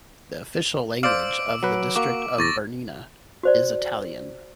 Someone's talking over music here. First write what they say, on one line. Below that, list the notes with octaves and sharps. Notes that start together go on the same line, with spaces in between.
The official language of the district of Bernina is Italian.
C5 D5 F5 D6 E6 D7
F#3 B4
A#3 F#4 D6
E2 C#6 A6 A#6
F#4 C5 D5